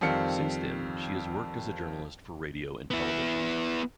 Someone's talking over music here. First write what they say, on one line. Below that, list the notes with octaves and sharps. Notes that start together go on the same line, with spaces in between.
Since then, she has worked as a journalist for radio and television.
F2 D#3 G3 C4 F5 C#7
B3 E4